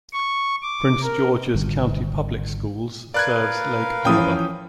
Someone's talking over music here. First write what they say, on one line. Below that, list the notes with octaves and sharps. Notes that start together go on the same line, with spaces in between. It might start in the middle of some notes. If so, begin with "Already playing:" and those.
Prince George's County Public Schools serves Lake Arbor.
C#6
D6
A#4
G#1 D3 G3
A#4 B4 D5 F5 F#6 G#6
E3 F3 C#4 G5 D#6